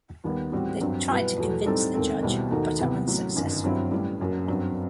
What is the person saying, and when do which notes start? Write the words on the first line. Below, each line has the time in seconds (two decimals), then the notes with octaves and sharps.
They try to convince the judge, but are unsuccessful.
0.24 D#2 D#3 G3 B3
0.52 A2 E3 G3 C4 F#4
0.81 G2 F#3 C4
1.09 B2 G3 B3 E4 B4
1.37 E2 B2 F#3 A3
1.66 A2 G3 C4 D#4 A4
1.94 E1 D#2 D#3 A3 C4
2.22 B1 B2 G3 C4 E4
2.50 D#2 D#3 A3 D#4 F#4
2.78 C3 E3 B3
3.07 A1 A2 F#3
3.35 G1 F#2 D#3
3.64 G2 F#3 C4 E4
3.91 A1 A2 G3
4.20 F#1 F#2 F#3
4.48 G2 F#3 C4